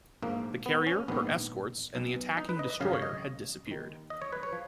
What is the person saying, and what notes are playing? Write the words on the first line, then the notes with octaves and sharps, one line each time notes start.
The carrier, her escorts, and the attacking destroyer had disappeared.
A#1 G#2 F3 A#3
B3
C#4
A#1 G#2 D#3 B3
B1 B2
D#4
B4
D#5
D#5
G#1 F#2 C#3 F5
C#5
D#5
D#2 D#3
D#5
C#5
B4
C#5
F3